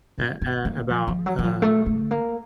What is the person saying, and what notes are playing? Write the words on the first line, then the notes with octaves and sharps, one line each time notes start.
at, uh about, um,
C#4
B3
A#3
F3
F3
F#3
F#3
F3
A3
A3
A#3